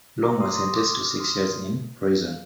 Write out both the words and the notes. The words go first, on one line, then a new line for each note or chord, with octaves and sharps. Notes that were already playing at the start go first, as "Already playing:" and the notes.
Long was sentenced to six years in prison.
A#5 D6
C6 D#6
C6 D#6
D6 F6
D#6
F6
C6 D#6
F5